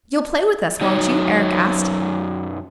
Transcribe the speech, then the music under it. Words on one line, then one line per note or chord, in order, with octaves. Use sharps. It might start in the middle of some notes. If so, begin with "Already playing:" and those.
"You'll play with us, won't you?" Eric asked.
F#2 F#3 D#4 C#5